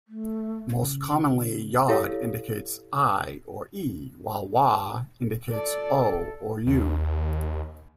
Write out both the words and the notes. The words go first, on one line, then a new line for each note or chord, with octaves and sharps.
Most commonly, yod indicates "i" or "e", while waw indicates "o" or "u".
A3
C#3
E4 G4 A4 C#5 F5 E6
A4 D5
D#2